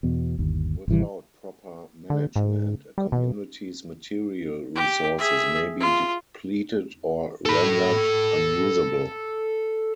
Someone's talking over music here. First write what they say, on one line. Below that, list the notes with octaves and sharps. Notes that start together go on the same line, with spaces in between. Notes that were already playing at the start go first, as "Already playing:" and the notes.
Without proper management, a community's material resources may be depleted or rendered unusable.
E2 B2
G1 D#2
G#1 C3 E3 G3
D3
G#2
G3
B2
G4
G#4 E5
F4
A4 B5